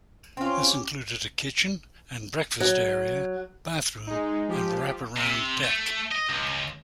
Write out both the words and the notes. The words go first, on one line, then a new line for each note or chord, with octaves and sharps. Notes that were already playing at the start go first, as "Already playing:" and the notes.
This included a kitchen and breakfast area, bathroom, and wraparound deck.
C4 C#4 F4
G4
F#3
G#3 D#4
F3 G4
C3
A3
D#5
C#2